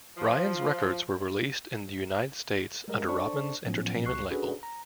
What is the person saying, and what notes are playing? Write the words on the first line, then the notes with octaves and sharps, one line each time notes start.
Ryan's records were released in the United States under Robbins Entertainment label.
F3
G3 G#3 A#4 D#5
D4 A4 C5 D5 A5 C#6
A2 F3 F#3 B3 C#4
C#2 C#6 F#6 C7
C#4 D4 F#4 G#4 A4 B4
A#5